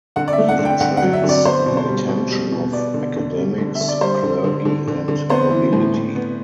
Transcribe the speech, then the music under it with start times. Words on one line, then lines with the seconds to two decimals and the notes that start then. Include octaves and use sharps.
He attracts the attention of academics, clergy and nobility.
0.16 D3 F#5
0.28 D5
0.33 E5
0.38 A3
0.49 F#5
0.59 D3
0.65 G5
0.80 D3 F#5
0.97 F#5
1.02 F#3
1.13 E5
1.24 D3
1.29 D5
1.45 B3 C5
1.66 B2
1.77 C5
1.88 G3
2.08 B2
2.31 G3
2.52 B2
2.73 B3 D5
2.94 D3
3.16 D3
3.37 G3
3.58 D3
3.75 E5
3.81 D3
3.88 D5
4.01 G3 C5
4.23 D3
4.44 D3
4.65 D3
4.88 D3
5.08 D3
5.30 B3 C5
5.51 E3
5.73 A2
5.94 A2
6.15 B3